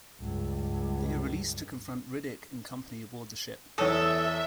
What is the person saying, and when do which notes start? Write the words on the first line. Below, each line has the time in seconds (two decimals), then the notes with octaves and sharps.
They are released to confront Riddick and company aboard the ship.
0.21 C#2 G2
3.78 E2 A4 C#5 E5 D#6